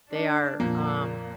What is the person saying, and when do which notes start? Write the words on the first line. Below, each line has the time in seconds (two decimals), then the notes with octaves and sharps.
They are, um,
0.10 D4
0.60 F2 A#2 A#3